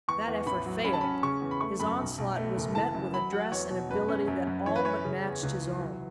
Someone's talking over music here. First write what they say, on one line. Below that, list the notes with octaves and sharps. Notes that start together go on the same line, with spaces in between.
That effort failed; his onslaught was met with address and ability that all but matched his own.
E2 C#6
E2
A1 B5
F#3
C#4 B5
A5
C#4 B5
C#3 C#6
E2
B5
A3 C#6
F#2 B5
B1
B1
A3
F#1
E3 A5
F#2
F#3 B5
F#3 F#5
E2 C#5
B2
F#2 B4
C#4
F#2
F#2
E3 C#5
B4
C#4 C#5
C#3
E2
C#2
E3
F#3